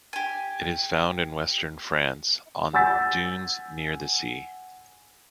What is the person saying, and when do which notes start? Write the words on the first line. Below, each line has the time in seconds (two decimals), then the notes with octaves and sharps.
It is found in western France on dunes near the sea.
0.13 G4 G#5
2.73 F#5 G#5 E6 G6 A6 B6